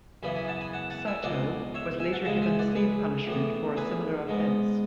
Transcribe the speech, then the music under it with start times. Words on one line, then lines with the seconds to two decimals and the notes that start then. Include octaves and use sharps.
Sato was later given the same punishment for a similar offence.
0.23 F#2 C#3 E3 B3 G#5 B5
0.35 G#5 B5
0.48 F#5 A5
0.61 G#5 B5
0.73 F#5 A5
0.90 F#5 A5
1.07 E5 G#5
1.24 C#2 B2 G#3 D5 F#5
1.74 C#5 E5
2.00 E5 G#5
2.12 F#5 A5
2.25 C#2 C#3 G#3 F#5 A5
2.42 E5 G#5
2.59 D5 F#5
2.75 G#4 B4
3.26 A2 E3 B3
3.77 G#4 B4
4.27 G#2 G#3 B3